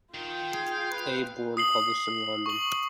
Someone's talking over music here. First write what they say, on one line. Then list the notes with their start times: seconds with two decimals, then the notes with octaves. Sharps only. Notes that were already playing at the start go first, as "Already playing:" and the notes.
A. Bourne published in London.
0.14 D#3 F4 G5
0.53 G#4 F5
0.91 B4
1.57 D#6 C7 F#7
2.46 C#6 F#7